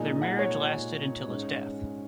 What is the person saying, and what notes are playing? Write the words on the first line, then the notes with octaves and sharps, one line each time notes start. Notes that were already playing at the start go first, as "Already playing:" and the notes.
Their marriage lasted until his death.
Already playing: A#2 G#3 D#4 G#5
F#5
C#5
G#2 G#3 C#4